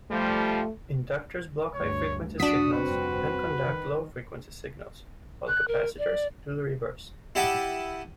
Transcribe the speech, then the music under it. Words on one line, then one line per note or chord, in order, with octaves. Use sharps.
Inductors block high-frequency signals and conduct low-frequency signals, while capacitors do the reverse.
F3 G3 A3
D2 G2 C#5
F2 D4 F#4 D#6 B6
F1 G2 C4 B4
D#3
F#6
A#4
D5
E4 G4 D#5 F#5 A5 D6